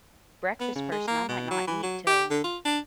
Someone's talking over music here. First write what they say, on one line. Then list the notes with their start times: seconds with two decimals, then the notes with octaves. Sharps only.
breakfast person; I might not eat till,
0.60 B3
0.75 C#3
0.92 G#3
1.08 A#3
1.28 B2
1.51 F#3
1.67 E3
1.83 F#3
2.07 G4
2.30 D3
2.44 F4
2.65 D4